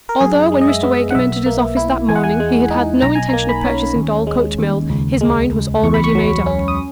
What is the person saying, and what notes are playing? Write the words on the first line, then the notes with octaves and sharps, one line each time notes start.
Although, when Mr. Wakem entered his office that morning, he had had no intention of purchasing Dorlcote Mill, his mind was already made up.
A#4
F#2 G#4
G#3
D#5
E5
B3
F#5
B1 E5
A#3
E4
E2 G#5
F#5
G#5
G#3
D#4
B1 A#5
G#5
A#5
A#3
B5
C#4
D#2
G#3
D#2
C#2
G#3
C#2
E2 C#6
B5
C#6
F#3
C#4
D#6